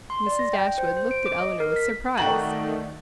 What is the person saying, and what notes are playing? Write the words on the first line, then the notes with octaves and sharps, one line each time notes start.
Mrs. Dashwood looked at Elinor with surprise.
C6
D5
A#6
G5
C5
C5
D7
D6
D#5
A#4
B6
D#3 A3 F#4 D5 F#5 G5 A#5 F#7